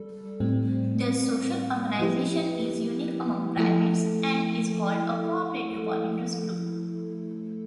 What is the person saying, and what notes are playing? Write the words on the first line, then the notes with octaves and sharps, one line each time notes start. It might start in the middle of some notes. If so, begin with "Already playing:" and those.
Their social organization is unique among primates and is called a "cooperative polyandrous group".
Already playing: G3 A4
A2 G3 C4
F3 B3 E4 G4 B4
F3 A3 E4 A4